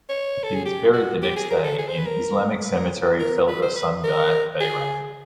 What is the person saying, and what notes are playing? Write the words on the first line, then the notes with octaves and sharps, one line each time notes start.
He was buried the next day in Islamic Cemetery Felda Sungai Behrang.
C#5
A4
G#4
G4
F#4
G4
G#4
A#4
A4
G#4
C5
B4
A#4
B4
A#4
A#4
B4
C5
B4
A#4
G#4